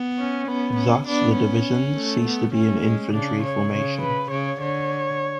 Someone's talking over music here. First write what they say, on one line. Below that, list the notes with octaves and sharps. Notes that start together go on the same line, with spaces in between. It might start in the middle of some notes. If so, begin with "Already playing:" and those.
Thus the division ceased to be an infantry formation.
Already playing: B3
C#4
B3 C#4
C#4
B3 D4
C#4
A3
B3
A3 C#4
G#3
C#3 D4
C#5
C#3
B4
C#3 C#5
D3 C#5